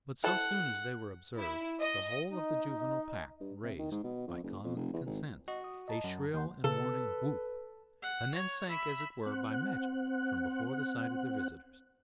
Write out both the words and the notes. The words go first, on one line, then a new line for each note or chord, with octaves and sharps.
But so soon as they were observed the whole of the juvenile pack raised, by common consent, a shrill and warning whoop; and then sank, as it were, by magic, from before the sight of their visitors.
E4 A4 C5 F#5
E4
D#5
D#4 D#5
G2
C3
D#3
G#2
B2
F2
F#1
F2
F1
E2
G#1
F#4 D#5
D#6
D#5 A5 A#5
F#2
D#2 F#5 C6 G6
C#3 A4 B4
F#5
C#5
E5 B5
C4 F#5